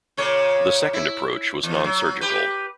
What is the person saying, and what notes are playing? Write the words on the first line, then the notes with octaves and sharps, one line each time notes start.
The second approach was nonsurgical.
A#2 C#3 C#5
E4
E2
F#3
G4 B4